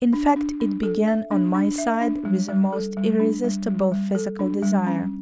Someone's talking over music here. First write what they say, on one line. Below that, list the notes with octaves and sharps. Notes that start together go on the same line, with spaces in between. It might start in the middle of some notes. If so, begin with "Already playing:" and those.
In fact, it began on my side with a most irresistible physical desire.
D4
D4
D4
A4
E5
D4
D4
E5
D4
G3
G3
A4
G3
D4
G3
G3
G3
A4
D4
G3
C#4